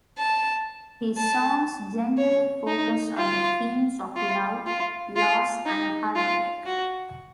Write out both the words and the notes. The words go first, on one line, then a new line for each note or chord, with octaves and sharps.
His songs generally focus on the themes of love, loss and heartbreak.
A5
A5
C#5
D#4
F4
F4
F4
F4
D#4
F4
F#4